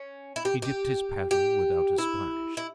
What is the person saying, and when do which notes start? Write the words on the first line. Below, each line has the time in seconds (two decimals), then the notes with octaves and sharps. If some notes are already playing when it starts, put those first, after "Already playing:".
He dipped his paddle without a splash.
Already playing: C#4
0.36 E4
0.45 G4
0.62 G4
1.31 G4
1.98 E4
2.57 E4